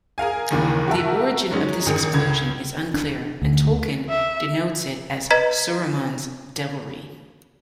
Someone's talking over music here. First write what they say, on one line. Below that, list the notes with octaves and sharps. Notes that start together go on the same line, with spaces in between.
The origin of this explosion is unclear and Tolkien denotes it as "Saruman's devilry".
G#4 A#4 F5 G#5
F#1 D#2 D#3 E3 A#3
F#4 G4 A#4 E5 A5
F#3 G#3 C#4 D#4
A1 D#3 G#4
C#2 G#6
D4
D2
E5
B4 D#5 A#5 G#6 B6